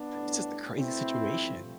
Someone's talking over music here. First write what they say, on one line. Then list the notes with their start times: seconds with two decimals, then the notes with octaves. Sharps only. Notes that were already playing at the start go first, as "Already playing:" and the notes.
it's just a crazy situation.
Already playing: B3 D4
0.14 A2 G3
0.73 B2 A3 C4 E4
1.33 G2 F3 A3